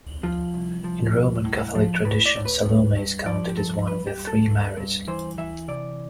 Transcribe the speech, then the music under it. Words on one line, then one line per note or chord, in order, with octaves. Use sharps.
In Roman Catholic tradition Salome is counted as one of the Three Marys.
F3 F4
C2
F3
C2
A2
F3
A2 B4
D5
A2
B4
G2
G2
F3 D5
G4
G2 A4
G2 B4
G4
G2
A4
G2
G2
E3 C5
E3 E5
C3 D5